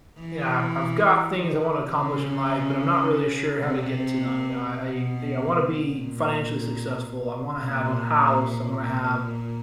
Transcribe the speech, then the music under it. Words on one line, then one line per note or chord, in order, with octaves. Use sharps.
you know, I've I've got things I wanna accomplish in life, but I'm not really sure how to get to them. You know? I I wanna be financially successful. I wanna have a house. I wanna have
E3
D#3
C#3
C3
B2
A#2
A#2
A#2